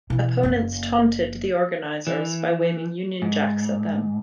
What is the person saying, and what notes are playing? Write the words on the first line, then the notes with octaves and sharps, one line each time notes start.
Opponents taunted the organisers by waving Union Jacks at them.
B2 E3
F#1 A#3
E3
G#2